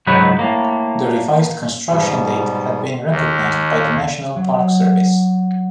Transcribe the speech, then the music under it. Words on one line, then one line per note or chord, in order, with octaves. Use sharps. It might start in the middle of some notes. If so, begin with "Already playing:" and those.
The revised construction date has been recognized by the National Park Service.
C#2 G#2 F#3 D#4 B4
A2 A#3
G#2 B2 G3
D#2
F#3